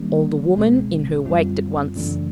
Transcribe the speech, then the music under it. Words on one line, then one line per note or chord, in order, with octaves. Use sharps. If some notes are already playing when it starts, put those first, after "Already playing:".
All the woman in her waked at once.
Already playing: D#3 G3 A#3 D4
C#2 B2 G#3 C4
F#2 D3 G3 C4 F4
F#2 C#3 E3 A3 D4